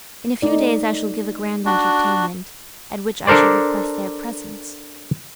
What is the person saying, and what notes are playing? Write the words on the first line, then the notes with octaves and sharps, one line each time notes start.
In a few days I shall give a grand entertainment, at which I shall request their presence.'
A3 D#4 D5
D4 F#4
D4 A4 A#4 C5 D5